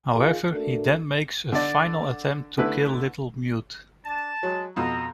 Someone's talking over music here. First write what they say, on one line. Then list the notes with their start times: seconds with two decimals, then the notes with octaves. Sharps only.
However, he then makes a final attempt to kill Little Mute.
0.13 D#3 A#3 F4 G#4
0.51 A3 A#3 D4 F#4 A4
1.52 D3 D5
2.58 D3 A3 E4 B4
4.06 D4 A5
4.43 F#3 G#3
4.76 F2 B2 D#5 A#5